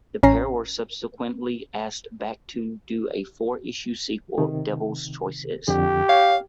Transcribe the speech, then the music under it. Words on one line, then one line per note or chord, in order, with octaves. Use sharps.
The pair were subsequently asked back to do a four-issue sequel, "Devil's Choices".
A1 C#4 A#5 C7
C3 D#3
F2 D3 G4
C#5 F5